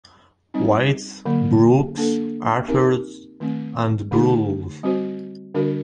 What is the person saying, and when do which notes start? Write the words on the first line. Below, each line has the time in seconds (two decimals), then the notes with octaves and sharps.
White's, Brooks's, Arthur's, and Boodle's.
0.54 G3 C4 D#4
1.25 D3 F#3 A#3
1.97 A#3 D4 A4
2.68 C4 D#4 G4 A#4
3.40 D#3 A3 C4
4.11 D3 A3 D#4 G4
4.83 G3 C4 F#4 C5
5.54 D3 G3 D4 F#4 A#4